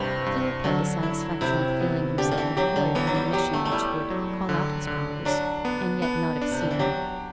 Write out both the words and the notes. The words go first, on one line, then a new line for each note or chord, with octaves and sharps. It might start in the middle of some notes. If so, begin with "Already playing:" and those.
Philip had the satisfaction of feeling himself employed on a mission which would call out his powers, and yet not exceed them.
Already playing: G2 C3 E3 C4
G2
D3 F#3
E4
C3 E4
B3
D3 G4
D3
E3
F#3 G4
D3
E3 B3
F#3
G3
F#3 G4
A3
A3
G3 E4
F#3
D3
D3
F#3 D4
B3
B3
D4
C3
D3
E3
F#3 G4